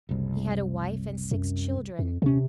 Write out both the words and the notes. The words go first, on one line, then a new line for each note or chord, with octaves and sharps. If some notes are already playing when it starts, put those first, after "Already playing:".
He had a wife and six children.
F#1 C2
F#2
F2
D#1 C3 C#4